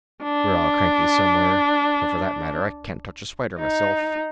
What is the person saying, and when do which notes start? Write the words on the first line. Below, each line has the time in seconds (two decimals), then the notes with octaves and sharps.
We're all cranky somewhere, and for that matter, I can't touch a spider myself.
0.23 D4
3.59 D#4